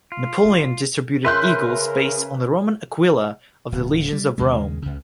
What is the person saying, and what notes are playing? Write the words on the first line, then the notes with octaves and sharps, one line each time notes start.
Napoleon distributed "eagles" based on the Roman aquila of the legions of Rome.
F4
C#3 A#4 B4 E5 C6 F#6 G6
D1
G3
D#2 C#3 G#3
C#2 C#3